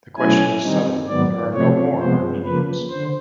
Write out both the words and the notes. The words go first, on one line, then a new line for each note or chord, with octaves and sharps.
The question is settled, there are no more Armenians'.
B2 F#3 A3 C#4 E4 G#5
D#3 G3 C4 D#4
G#2 D#3 F#3 B3 D5
C3 F3 A3 C4 C#5
C3 F3 G#3 B3 C5
C#3 F3 A#3 B4
D3 C5